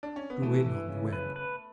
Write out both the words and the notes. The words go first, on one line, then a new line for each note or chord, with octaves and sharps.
It drew in on the web.
D4
C#4
B3
E3 A3
E3
C#3
B4
B4